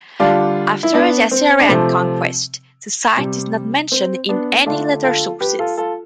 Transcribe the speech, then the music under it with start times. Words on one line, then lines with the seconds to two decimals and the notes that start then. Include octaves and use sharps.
After the Assyrian conquest, the site is not mentioned in any later sources.
0.20 D3 G3 D4 F4
0.83 E4
0.94 B3 D4
1.31 C4
1.60 D4
1.69 C3 F3 A3 C4
3.17 C3 G3
3.92 C4
4.29 B3 D4
4.66 D3 A3 D4 F4
5.03 F4 A4
5.41 G4 B4
5.59 F4 A4
5.78 F4 A4